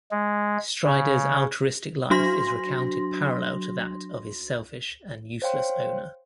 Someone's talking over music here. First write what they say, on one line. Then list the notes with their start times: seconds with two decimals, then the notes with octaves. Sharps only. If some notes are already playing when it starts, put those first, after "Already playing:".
Strider's altruistic life is recounted parallel to that of his selfish and useless owner.
0.11 G#3
0.85 C#3
2.10 F#3 D4 F#4 C6 A#6
5.42 C5 C#5 F5 G5 C6